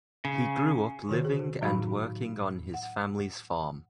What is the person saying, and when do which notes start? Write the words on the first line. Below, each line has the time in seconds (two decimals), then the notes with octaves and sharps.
He grew up living and working on his family's farm.
0.25 C#3
1.09 C3 D#3 F#4 C5
1.25 G#4
1.61 A2 F#3 D#4 F#4 F5 B5
2.74 F#5